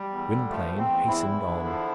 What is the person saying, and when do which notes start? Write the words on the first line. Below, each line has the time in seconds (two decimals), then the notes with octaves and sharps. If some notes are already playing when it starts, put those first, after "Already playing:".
Gwynplaine hastened on.
Already playing: G3
0.10 E2
0.30 D3
0.49 F3 A3
0.68 E2
0.78 C4
0.89 E2
1.07 E2 E4
1.27 E2
1.46 D3
1.65 F3